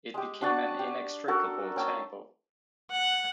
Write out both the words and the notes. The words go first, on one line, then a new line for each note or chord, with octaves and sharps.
It became an inextricable tangle.
G#3 G4
D4 F#4 F#5 A5
G4
F#4 A4 A#4 A#5
C#4 G5 A5
F#5